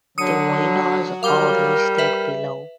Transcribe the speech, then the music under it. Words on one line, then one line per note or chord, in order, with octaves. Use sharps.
The winners are listed below.
D3 F#3 D#6 C#7 D#7
G3 A#4 F5 D6 G7
B4 E5